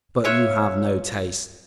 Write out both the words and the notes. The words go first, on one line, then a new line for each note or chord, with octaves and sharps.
But you have no taste!
F4 C#5 E5 F#6